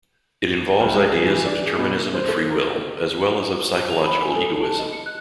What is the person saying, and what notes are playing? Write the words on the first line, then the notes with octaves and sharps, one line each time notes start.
It involves ideas of determinism and free will, as well as of psychological egoism.
C2
G#3
G#4
E3
D4
G#4
B2
A#3
C5
A4
A#4
F7
B5
G#5
A4
D#4
A5
D#5
C#7
F#6